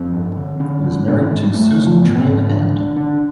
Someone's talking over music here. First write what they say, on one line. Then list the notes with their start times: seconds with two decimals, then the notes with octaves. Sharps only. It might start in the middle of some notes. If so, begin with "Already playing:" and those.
He was married to Susan Train Hand.
Already playing: F2 C4
0.13 G2
0.37 D3
0.60 D3 C#4
0.84 D3
1.07 G#2 D4
1.19 C#4
1.31 G#2 G#3
1.43 G3
1.54 F#2 A3
1.78 C#3
2.02 G#2 B3
2.18 C4
2.25 G#2
2.33 C#4
2.49 D3 D4
2.72 D3
2.96 D3 D4